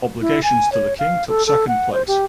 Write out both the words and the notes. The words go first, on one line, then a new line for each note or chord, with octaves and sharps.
Obligations to the king took second place.
E4
G#5
C#5
F5
A4
A4
F#5
C5
G4